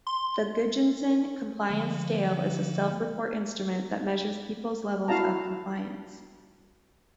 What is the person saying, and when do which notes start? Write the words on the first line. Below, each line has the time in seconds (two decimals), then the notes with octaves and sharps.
The Gudjonsson Compliance Scale is a self-report instrument that measures peoples' levels of compliance.
0.07 C6
1.68 D3 F3 A#3
5.08 E4 F#4 F5 A5 A#5